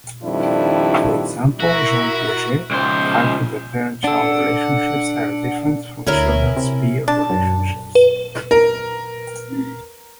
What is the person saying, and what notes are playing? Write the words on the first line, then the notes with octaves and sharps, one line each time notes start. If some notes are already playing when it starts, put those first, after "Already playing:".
For example, Jean Piaget argued that parent-child relationships are different from children's peer relationships.
F2 D#3 G3 D4 E4
E4 F#4 A#4 E5
C#2 C5
D4 A4 F#5
D2 C#4 E4 A#4
C3
D4 A5
F#2
B4
A#4